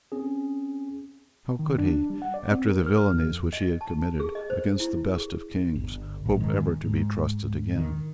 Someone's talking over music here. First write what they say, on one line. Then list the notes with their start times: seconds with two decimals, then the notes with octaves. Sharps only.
How could he, after the villanies which he had committed against the best of Kings, hope ever to be trusted again?
0.12 C4 C#4 G#4
1.59 D#3
1.78 D4
2.10 G3
2.22 F#5
2.34 D5
2.51 C4
2.68 A#4
2.86 F6
3.14 F2
3.53 D#5
3.81 A5
4.20 G#4
4.35 D#5
4.50 C5
4.80 E4
5.16 G#4
5.75 G1
6.26 A#1
6.37 G#2 D#3
6.85 G#2
7.76 D#3